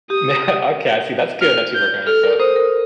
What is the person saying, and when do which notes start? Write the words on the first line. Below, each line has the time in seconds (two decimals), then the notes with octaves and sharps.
Yeah, okay, I see, that's good that you work on yourself.
0.10 G4 D#6
1.41 F6
1.75 G6
2.07 A4 F6
2.23 A#4
2.40 C5 D#6
2.56 A#4